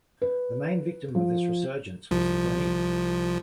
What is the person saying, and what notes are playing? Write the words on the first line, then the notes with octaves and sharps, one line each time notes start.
The main victim of this resurgence was the Green!
B4
F3
C2 F3